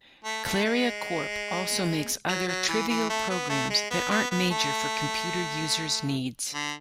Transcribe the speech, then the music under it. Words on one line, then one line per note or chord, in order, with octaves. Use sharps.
Claria Corp. also makes other trivial programs that aren't major for computer users' needs.
A3
A3
G#3
F#3
F#3
E3
E3
A3
B3
A3
G#3
B3
B3
B3
A3
D3